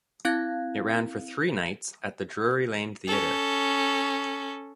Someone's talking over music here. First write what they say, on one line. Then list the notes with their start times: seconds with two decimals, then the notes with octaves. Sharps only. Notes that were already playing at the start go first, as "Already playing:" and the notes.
It ran for three nights at the Drury Lane Theatre.
0.25 C4 E4 F5 F#6 G#6
3.07 C#4 A4